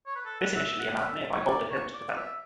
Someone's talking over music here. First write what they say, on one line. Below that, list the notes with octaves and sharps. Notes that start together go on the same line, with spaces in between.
This initially allowed nearby Boulder Hill to develop.
C#5
B4
A4
F#5
E5
F#5
E5
C#5
D5
C#5
D5
D5
E5